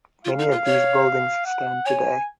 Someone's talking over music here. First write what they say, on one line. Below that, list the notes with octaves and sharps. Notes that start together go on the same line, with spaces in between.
Many of these buildings stand today.
F4 F5
D#4
F4
C#5
F#5
C#5 G#5